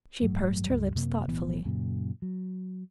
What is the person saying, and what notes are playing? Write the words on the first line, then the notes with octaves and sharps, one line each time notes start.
She pursed her lips thoughtfully.
A1 G2 F#3 A3
C#2 G2 G3
F#2 C3 A#3
B1 A2 E3 B3
F#2 A#2 C#3
F#3